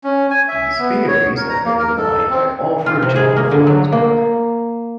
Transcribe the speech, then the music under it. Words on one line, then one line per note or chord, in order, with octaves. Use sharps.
These theories have been denied by author John Flansburgh.
C#4
G#5
E5
B3
C#5
A#4
A#5
A#3
A#4
A4
C4
F4
C3
G#4
A#3
D3
F#3
A#3